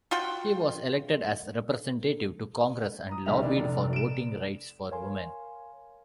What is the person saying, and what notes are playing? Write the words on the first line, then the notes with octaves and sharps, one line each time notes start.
He was elected as representative to congress and lobbied for voting rights for women.
F4 F#4 G5
A#5 D#6
F1 B1 G3 E5 F7
D#3 D4 E4
F1 D5
D7 E7
A#4 C#5 F5 G#5 C6